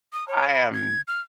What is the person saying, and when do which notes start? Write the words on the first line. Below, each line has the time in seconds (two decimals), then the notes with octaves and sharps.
I am
0.13 D#6
0.28 C#5
0.54 B5
0.73 G#6
1.08 F6